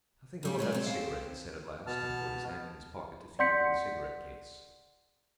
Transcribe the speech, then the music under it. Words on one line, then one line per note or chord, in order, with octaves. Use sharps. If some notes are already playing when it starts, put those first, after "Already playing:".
"I think I will have a cigarette," he said at last, and put his hand in his pocket to feel for the cigarette-case.
D#2 G3 B3
A2 G#3 A3 C#5
C4 A4
G#4 F5
B2 B3 A5 F6
D5 F#5 C6 G6 B6 C#7